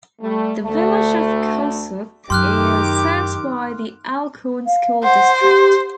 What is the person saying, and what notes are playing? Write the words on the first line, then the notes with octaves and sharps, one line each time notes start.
The village of Kossuth is served by the Alcorn School District.
G3 A3
D2 A3
F#2 D#3 G4 C6 D6 F6 F#6
F5
C5 F#5
G4